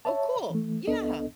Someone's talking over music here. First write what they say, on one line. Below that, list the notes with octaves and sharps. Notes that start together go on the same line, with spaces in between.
Oh, cool, yeah.
C#5 E5 A5
E3 A3
C#2 B3 D4 A4 D#5